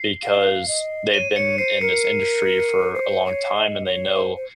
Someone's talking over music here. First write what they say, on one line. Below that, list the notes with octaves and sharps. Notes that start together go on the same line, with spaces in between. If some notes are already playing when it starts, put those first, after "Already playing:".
because they've been in this industry for a long time and they know
Already playing: C7
F5
D#5
F5
D#5
C#5 D#7
C5
C#5 C#7
C5 C7
A#4 C#7
C#7
C5 C7
C#5
D#5
C#5
C5
C5